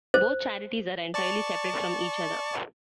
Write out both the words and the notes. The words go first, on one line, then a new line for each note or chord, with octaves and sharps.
Both charities are entirely separate from each other.
C5
D5 A5 C#6